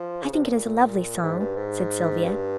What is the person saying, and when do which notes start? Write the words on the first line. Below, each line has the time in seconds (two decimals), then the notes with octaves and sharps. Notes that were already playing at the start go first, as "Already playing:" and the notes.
"I think it is a lovely song," said Sylvia.
Already playing: F3
0.22 C#3
0.33 C3
0.45 A#2
0.56 A#2
1.23 G#2
1.40 G2
1.56 G#2
2.23 G2